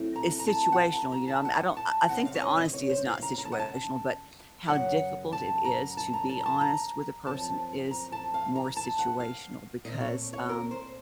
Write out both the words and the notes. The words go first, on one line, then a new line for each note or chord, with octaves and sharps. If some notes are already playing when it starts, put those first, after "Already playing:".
it's situational, you know, I'm I don't I I think that honesty is not situational, but how difficult it is to be honest with a person is more situational, because, um,
Already playing: A2 F#3 A3 C4
A#5
A#5
A5
F#5
A5
A#5
A#5
A5
F#5
A5
F#2 C#3 A3 C4 F#5
F5
C#5
D#5
D#5
C#5
C5
F5
A#5
A#5
A5
F#5
A5
F#2 C#3 F#3 F#5
A5
A#5
A5
A#5
A5
A#5
A5
A#5
F#2 F3 C4 A5
A#5
A5
F5
A#5
A5
F#5
F5
A#2 A3 C4 D#5
C#5
C#5
A#4
C5